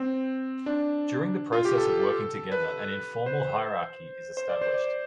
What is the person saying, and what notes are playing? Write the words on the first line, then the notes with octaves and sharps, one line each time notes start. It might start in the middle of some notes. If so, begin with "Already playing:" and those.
During the process of working together an "informal hierarchy" is established.
Already playing: C4
D4
F4
G4
A4
B4
C5
C5
D5
C5
D5